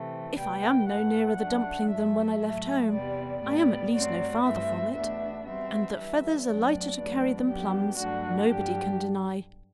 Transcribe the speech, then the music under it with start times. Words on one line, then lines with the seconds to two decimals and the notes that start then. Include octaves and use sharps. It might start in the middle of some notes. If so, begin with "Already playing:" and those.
"If I am no nearer the dumpling than when I left home, I am at least no farther from it; and that feathers are lighter to carry than plums nobody can deny."
Already playing: C3 E3 A3 C4
0.38 D2 C3 G3 B3 G5
0.88 A2 E3 A3 F#5
1.39 F#2 F#3 A3 D4
1.90 G2 F#3 A3 E5
2.41 A2 F#3 A3
2.92 E2 C3 G3 B3 D5
3.42 A2 G3 B3 D5
3.93 G2 F#3 A3 C4 D5
4.43 G2 E3 A3 C4 E5
4.94 E2 B2 A3 D4 E5
5.45 B2 G3 C4 E5
5.96 G2 E3 G3 E5
6.46 F#2 D3 F#3 A3 C4 D5
6.97 E2 B2 F#3 A3 D4
7.47 F#2 D3 F#3 B3 G4
7.98 G2 D3 F#3 A3 D4 F#4
8.49 G2 D3 F#3 G4